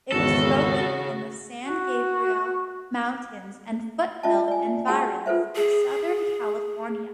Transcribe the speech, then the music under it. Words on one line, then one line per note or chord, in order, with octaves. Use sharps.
It was spoken in the San Gabriel Mountains and foothill environs of Southern California.
G#1 E2 C#3 F#4 A4
F#4
C#4 F4 D#5 E5 A5
D5 G#5
D4 F#4 G#4 F#5 G5 A5
F4 A4 B4 C5 E5
G#4